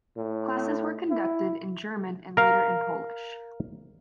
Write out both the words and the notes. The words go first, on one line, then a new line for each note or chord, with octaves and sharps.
Classes were conducted in German and later in Polish.
A2
E4
A#4 F5 A#5